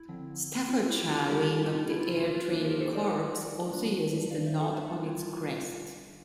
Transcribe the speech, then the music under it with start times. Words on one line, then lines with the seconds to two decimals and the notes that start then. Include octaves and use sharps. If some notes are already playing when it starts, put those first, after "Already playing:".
Staffordshire wing of the Air Training Corps also uses the knot on it's crest.
Already playing: E4
0.08 D3 F3 C4
0.68 F4
0.89 E4 G4
1.08 F4 A4
1.29 G3 A#3 D4 G4 A#4
1.44 F4 A4
1.59 E4 G4
1.75 F4
1.90 E4
2.05 F4
2.20 F4
2.35 F4
2.50 E3 A#3 D4
2.64 G4 A#4
2.80 A4 C5
2.95 A#4 D5
3.71 G3 A#3 D4
4.31 D5 F5
4.46 C5 E5
4.60 A4 C5
4.76 C5 E5
4.90 G3 D4 F4
5.06 E4
5.21 F4
5.37 F4